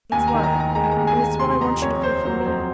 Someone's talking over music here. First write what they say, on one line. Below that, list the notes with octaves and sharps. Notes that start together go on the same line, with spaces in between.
It's love, and it's what I want you to feel for me.
D#2 G#5
A#5
D#3
A#5
D#3
A#5
G#3 A#5
A#5
D#2
G#5
D#2
A#5
C3 C6
F2 A#5
F2 C#5
F2 C5
F#3 C5
F2 C5